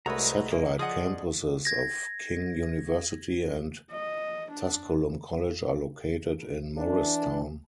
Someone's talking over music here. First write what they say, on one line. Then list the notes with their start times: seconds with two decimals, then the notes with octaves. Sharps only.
Satellite campuses of King University and Tusculum College are located in Morristown.
0.06 C2 G#3 A3 F#4 B4 D#5 A#5
0.51 A#3
0.79 F3 G#4 D5 D#5 F#5 D#6
1.65 G#6 A#6
3.92 D#5
4.51 D4
6.75 E3 D4